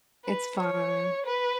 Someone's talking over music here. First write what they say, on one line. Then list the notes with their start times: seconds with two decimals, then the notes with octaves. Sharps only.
It's fine.
0.25 B4
0.59 C#5
1.26 B4